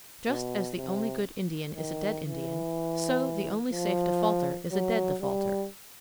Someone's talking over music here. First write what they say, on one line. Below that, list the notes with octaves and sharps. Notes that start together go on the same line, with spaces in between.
Just as the only good Indian is a dead Indian, so the only safe defaulter is a dead defaulter.
B2
C3
D#3
E3
F3
F#3
G3